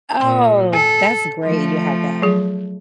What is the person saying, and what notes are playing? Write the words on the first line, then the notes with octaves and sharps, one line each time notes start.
Oh, that's great you have that.
A#2 C6
A4 G#5
F3 A3
F#3 G#4